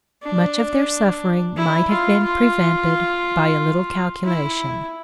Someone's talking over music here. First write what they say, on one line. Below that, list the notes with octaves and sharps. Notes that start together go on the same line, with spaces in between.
Much of their suffering might have been prevented by a little calculation.
D4
E4
F4
F4
E4